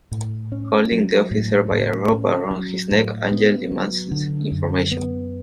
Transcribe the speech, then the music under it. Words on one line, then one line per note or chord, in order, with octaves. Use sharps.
Holding the officer by a rope around his neck, Angel demands information.
A2
C#4
F#3
A2
A2
C#4
F#3
A2
B3
F#3
D3
F#2
B3